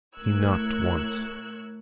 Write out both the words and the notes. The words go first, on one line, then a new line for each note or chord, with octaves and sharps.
He knocked once.
A2 A#4 C#6 E6 F#6 G#6